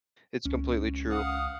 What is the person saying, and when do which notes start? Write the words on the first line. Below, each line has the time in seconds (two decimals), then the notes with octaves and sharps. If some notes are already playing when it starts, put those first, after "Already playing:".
It's completely true,
0.45 C#2 C#4
1.10 F5 F#5 D#6